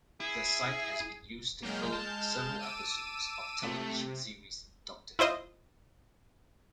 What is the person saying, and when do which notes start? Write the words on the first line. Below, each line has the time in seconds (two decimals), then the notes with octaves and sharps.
The site has been used to film several episodes of television series Doctor Who.
0.20 E4 G#4
1.63 F#3 G#3 A#3 F6 G6
1.93 A5
2.59 D6 E6 D#7
3.63 C3 A3
5.19 E4 F4 C5 D#5